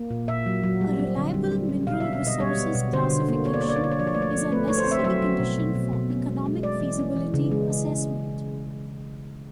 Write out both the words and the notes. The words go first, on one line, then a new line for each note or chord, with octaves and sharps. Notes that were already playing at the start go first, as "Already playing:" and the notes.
A reliable mineral resources classification is a necessary condition for economic feasibility assessment.
Already playing: A#3
A#2
A#2 E5
F#3
F#3
G3
C4
D3
G3
G3
G3
B2 F5
E5
B3
E5
B2 D#5
G3 C#5
B3
B2
D3 C5
D3
A#3
A#3 C#5
D5
C#5
A#3
D5
C#5
D3 D5
C#5
F3 D5
C#5
A3 D5
C#5
F3
A3 B4
A3 C#5
C5
C4 E5
F#3 E5
F#3
B2
B2
B2
B2
C#4
G#3
G#3
G#3 D5
E3
C#4
E3
C#3
G#3